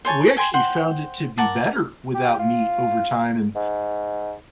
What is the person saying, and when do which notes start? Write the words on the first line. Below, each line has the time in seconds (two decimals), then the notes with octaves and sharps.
We actually found it to be better without meat over time, and
0.05 C5 C#5 G#5 A5
0.37 G5 G#5 C6
0.54 C5 F#5 G5
1.38 A#4 F#5 A5 D6
2.15 G4
2.39 F4
3.56 G#2